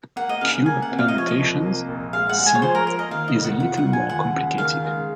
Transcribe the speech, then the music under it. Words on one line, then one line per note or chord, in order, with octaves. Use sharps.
Cube permutations, "C", is a little more complicated.
A#3 F#5
D#5
C#3 F5
F#5
A#3 G#5
F#5
C3
F5
D#5
F3 C#5
D#5
C2
A#3
A#1
G#3 F5
F#5
G#3
G#5
C#5
F3 C5
A#4
A#3 A#4
D#5
D#3 F5
D#5
F1
F#5
F4 F#5
F#5
F4
G#5
D#2 F#5
C#3
D#3 F5
G#3